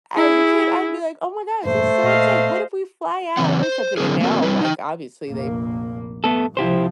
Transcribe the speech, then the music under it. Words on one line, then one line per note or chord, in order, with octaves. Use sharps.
as a kid, I'd be, like, "oh, my gosh. This is so insane. What if we fly out or something"? And now, like, obviously they,
E4 G#4
E1 G2 A#2 A3 C5
A#2 D#5 F5
C#3 E3 F#3 C4 F#5
C5
D3 F#3 C4 F#4 G#4 A#4
A3 A#3 C4 F#4 A#4
G3 C4 E4 B4
D#4 G5
F1 A#1 A#3
G2 A3 B3 A4
C#2 C3 F3 E4 G4 C5